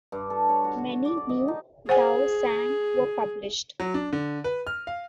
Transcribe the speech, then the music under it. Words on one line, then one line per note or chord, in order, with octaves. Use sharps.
Many new Daozang were published.
G2
A4
C#5
F#4
F#4
D5
D5
D#5
D#4
G#4 C5 F#5 G#5
F#3
D4
D3
B4
F6
F5